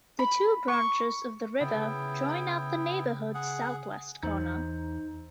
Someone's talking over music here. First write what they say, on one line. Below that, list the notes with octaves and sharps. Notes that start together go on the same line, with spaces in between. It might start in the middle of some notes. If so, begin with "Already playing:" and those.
The two branches of the river join at the neighbourhood's southwest corner.
B5
C#6
C#3 B3 E4 G5
G#4 F#5
E2 D#4 C5